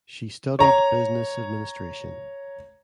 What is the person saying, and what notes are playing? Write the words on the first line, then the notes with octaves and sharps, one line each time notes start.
She studied Business Administration.
C#5 A#5